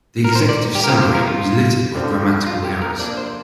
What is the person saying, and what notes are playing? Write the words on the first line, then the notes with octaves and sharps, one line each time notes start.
The executive summary was littered with grammatical errors.
A#4
C5
D5
G4
A#4
F2 C3 F3 A#3 G4
C5
A#4
F4
G2 D3 F3 C4
F4
G4
A#4
C3 F3 A#3 D4 D5
C5